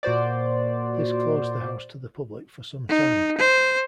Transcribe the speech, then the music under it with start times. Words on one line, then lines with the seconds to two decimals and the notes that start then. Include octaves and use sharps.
This closed the house to the public for some time.
0.03 A#2 F#4 C5 D5
2.89 D#4
3.38 C5